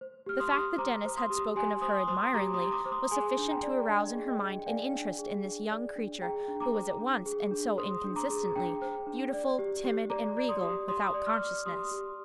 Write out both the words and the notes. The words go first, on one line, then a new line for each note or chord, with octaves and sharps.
The fact that Denis had spoken of her admiringly was sufficient to arouse in her mind an interest in this young creature, who was at once, and so inconsistently, beautiful, timid, and regal, without consciousness.
C5
G4 F6
C6 D#6
G4
C5 A#5 D6
C5
C6 D#6
G4
G4 G#5 C6
C5 C6 D#6
C5 C6 D#6
G4 A#5 D6
C6 D#6
G4
A#5 D6
C5
C6 D#6
G#4 G#5 C6
D4
G5 A#5
D5
D4 D#5
G#4
D#5 G5
D4
G5
D5 F5 G#5
D4
G#4
D4
D5
D4
G#4 G5 A#5
D4
A#5 D6
C5
D4
G#4
D4
C5 C6 D#6
D4
A#5 D6
G#4
D4 G5 A#5
C5
D4
D5
G4
G4
D5 A#5 D6
D5
C6 D#6
G4
G4 C6 D#6
D5
D6 F6
D5
G4 C6 D#6
G4